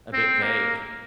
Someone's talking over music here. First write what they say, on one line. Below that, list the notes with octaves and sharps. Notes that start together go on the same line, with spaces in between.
a bit vague,
C4
A#3